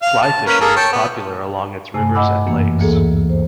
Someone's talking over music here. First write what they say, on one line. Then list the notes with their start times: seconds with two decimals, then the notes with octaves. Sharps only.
Fly fishing is popular along its rivers and lakes.
0.02 F5
0.22 A5
0.47 A#3 C#4 B4
0.61 A#3 G#4 A4
0.76 C#5 G5 A5
0.93 B3
1.94 G2 C3 A3 G#5
2.15 D#5 F#5 B5 D6 E6
2.46 F#2 E3 A#3
2.79 D2 E3 A#3 G#4 A4
3.30 C5